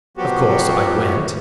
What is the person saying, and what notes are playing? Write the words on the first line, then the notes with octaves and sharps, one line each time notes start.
Of course I went.
F3 F#3 B3 F#4 G4